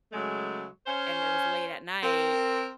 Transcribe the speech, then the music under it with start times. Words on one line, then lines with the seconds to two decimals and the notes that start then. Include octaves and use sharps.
and it was late at night,
0.13 C#3 F#3 G#3 A3
0.85 C#4 C5
2.03 C4 A#4